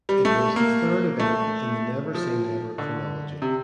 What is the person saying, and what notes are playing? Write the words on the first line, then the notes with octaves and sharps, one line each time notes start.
It was the third event in the Never Say Never chronology.
G3
A3
A#3
A3
F3
D3
C3